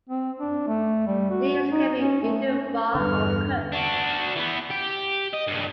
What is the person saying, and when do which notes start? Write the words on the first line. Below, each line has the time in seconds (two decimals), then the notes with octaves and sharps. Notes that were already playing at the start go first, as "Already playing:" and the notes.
Leaves can be eaten raw or cooked.
0.09 C4
0.40 D4
0.68 A3
1.07 G3
1.31 F#4
1.72 D#4
2.00 C#4
2.23 A3
2.49 C#4
2.95 E2 G2 D3 B4 F6
3.72 D4 F#4
4.36 E3 B3
4.70 G4
5.34 D#5
5.48 G2 A#2